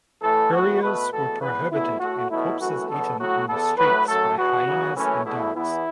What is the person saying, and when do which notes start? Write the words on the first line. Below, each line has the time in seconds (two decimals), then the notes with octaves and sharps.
Burials were prohibited and corpses eaten in the streets by hyenas and dogs.
0.22 A2 E3 A3 A4
0.52 A2 E3 B3 F#4
0.82 B2 A3 B4
1.11 E2 B2 A3 A4
1.41 E2 E3 B3 B4
1.70 E2 B2 A3 E4
1.99 A2 A3 F#4
2.29 B2 F#3 A3 E4
2.59 F#2 E3 A3 F#4
2.89 E2 B2 F#3 B3 A4
3.18 A2 F#3 A3 F#4
3.47 E2 E3 B3 A4
3.77 A2 F#3 A3 B4
4.07 F#2 F#3 A3 A4
4.36 E2 B2 B3 F#4
4.65 E2 C#3 F#3
4.95 F#2 E3 A3 C#4
5.25 E2 B2 A3 E4
5.54 E2 E3 B3 E4